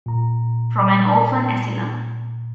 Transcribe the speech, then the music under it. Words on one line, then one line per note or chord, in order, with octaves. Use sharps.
From an orphan asylum!
A#2 A#5